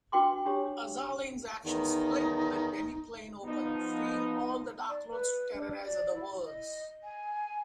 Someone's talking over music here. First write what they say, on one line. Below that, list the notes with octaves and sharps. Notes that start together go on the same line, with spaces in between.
Azalin's actions split the Demiplane open, freeing all the Darklords to terrorize other worlds.
D4 F#4 B4 G5 C6 D6
D4 G4 C#5
E2 D#3 D#4
F3 B3 D#4
D5
B4
D4
D5
E4
D#5
G#5